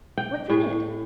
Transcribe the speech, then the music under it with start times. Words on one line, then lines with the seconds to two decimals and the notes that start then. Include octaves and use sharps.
"What's in it?"
0.18 G5
0.50 A2